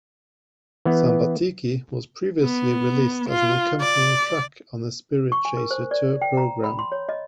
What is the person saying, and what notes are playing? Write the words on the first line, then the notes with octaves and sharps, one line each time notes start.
"Sambatiki" was previously released as an accompanying track on the "Spiritchaser" tour programme.
E3 B3
B3
F4
D5
C#6
G#5
A#4
C5
D5
G5
A#5
B5
C6
C#5
D#5